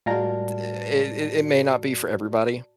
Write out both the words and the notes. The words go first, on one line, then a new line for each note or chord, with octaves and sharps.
it it it may not be for everybody.
A2 G3 G#3 F4 F#4 A#4 D5 A5